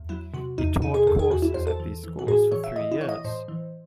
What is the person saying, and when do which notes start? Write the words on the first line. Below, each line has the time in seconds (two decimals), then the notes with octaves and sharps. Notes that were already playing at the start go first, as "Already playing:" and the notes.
He taught courses at these schools for three years.
Already playing: E2
0.09 F#3 E4
0.34 C3 F#4
0.58 E2 D#4
0.82 C3 D#4
0.94 G#4
1.07 E2 A4
1.19 G#4
1.30 E2 F#4
1.42 E4
1.54 E2 C5
1.67 A4
1.80 E3
2.04 E3
2.19 F#4
2.27 A2 G#4
2.51 E3 C#5
2.64 E5
2.76 E3 D#5
2.92 E4
3.00 E3 C#5
3.09 D#5
3.25 A2 C5
3.48 E3